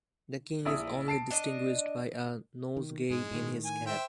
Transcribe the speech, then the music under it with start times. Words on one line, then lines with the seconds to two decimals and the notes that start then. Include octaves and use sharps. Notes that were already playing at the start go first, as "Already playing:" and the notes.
The king is only distinguished by a nosegay in his cap.
0.65 A#1 E4 D#6
1.08 A5 C7 D7
1.31 D4 D#5
2.77 D#3
3.10 G#2 G#3
3.31 A2 D#3
3.65 G#5
3.86 C5 E5 G5